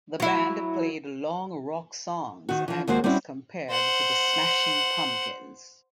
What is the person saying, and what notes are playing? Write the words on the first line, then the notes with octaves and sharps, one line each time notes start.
The band played long rock songs and was compared to The Smashing Pumpkins.
F#3 E4
D#3 F#4
E3 F3
D#2 G#3 F#4 C5
G3 C4 C#4 E4 F#4
C5 F#5